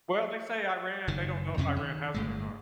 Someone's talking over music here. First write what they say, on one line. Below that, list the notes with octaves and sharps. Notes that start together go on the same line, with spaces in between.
Well, they say Iran they don't know if Iran has it or not.
F#1 D#3
F2 C3 C#4
D#3
G1 A2 G#3